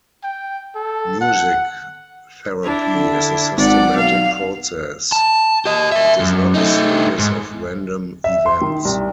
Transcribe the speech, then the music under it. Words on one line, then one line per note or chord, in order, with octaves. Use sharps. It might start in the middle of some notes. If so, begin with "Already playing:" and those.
Music therapy is a systematic process; it is not a series of random events.
G5
A4
F#5
D4 E4
D3
G#1 D5 F#5
B1 F5
A5
G4 D#5
A#4 E5
F#2
A3 D#4
G#2
E5
C6
D#3
C2